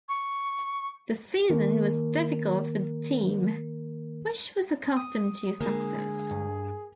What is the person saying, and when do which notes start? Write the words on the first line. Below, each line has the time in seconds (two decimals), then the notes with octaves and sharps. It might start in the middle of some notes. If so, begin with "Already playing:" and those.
The season was difficult for the team, which was accustomed to success.
0.09 C#6
1.50 D#3 A#3 A#4
4.97 D#6
5.60 D3 G#3 A#3 G#4
6.31 G2